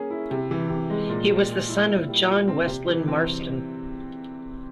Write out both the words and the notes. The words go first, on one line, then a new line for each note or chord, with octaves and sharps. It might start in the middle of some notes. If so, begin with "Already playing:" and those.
He was the son of John Westland Marston.
Already playing: A#3 C#4 G#4
E4
C3
E3
C3
G#3
A#2
G#3
G#4
E4
A#2
G3
F4
C4
C3
E3
C4